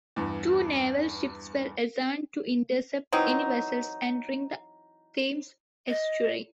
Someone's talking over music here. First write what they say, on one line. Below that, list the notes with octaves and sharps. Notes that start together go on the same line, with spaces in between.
Two naval ships were assigned to intercept any vessels entering the Thames estuary.
E2 G2
E3 F#3 C4 D#4
D#5